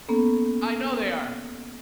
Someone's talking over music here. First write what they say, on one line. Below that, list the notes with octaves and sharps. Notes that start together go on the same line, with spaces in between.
I know they are.
A#3 B3 C#4 A4